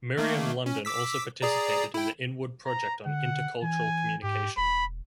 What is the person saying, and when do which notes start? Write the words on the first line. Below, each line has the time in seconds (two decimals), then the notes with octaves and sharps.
Miriam London also participated in the Inwood Project on Intercultural Communication.
0.18 D#3 A3 A#3
0.66 C#4
0.85 D6 E6 B6
1.42 G#4 D5 A#5
1.94 E4 G5
2.66 A#5
3.06 D3 F#5
3.62 E3 G#5
4.23 G#2 G4
4.57 E1 B5